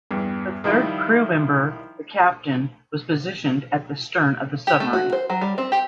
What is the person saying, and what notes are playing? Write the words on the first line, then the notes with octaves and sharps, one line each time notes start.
The third crew member, the captain, was positioned at the stern of the submarine.
E2 G2
D#3 F3 G3 E4 F4
G4
A3
F#4
C5
F#3
G3
C4
G4